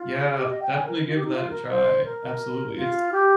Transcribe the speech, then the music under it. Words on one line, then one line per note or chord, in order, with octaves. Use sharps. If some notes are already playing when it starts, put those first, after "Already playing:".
Yeah, definitely give that a try. Absolutely. It's
Already playing: F4
G#4
G4
D#5
G5
G#5
A#4
F4
G4
D#4
F4
A#4
C5
A#4
F4
G4